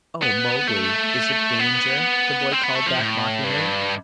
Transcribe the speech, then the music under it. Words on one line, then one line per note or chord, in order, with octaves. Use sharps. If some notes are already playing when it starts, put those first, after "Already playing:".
"Oh, Mowgli, is it danger?" the boy called back mockingly.
B3
A3
B3
C4
B3
A3
F3
A2
G2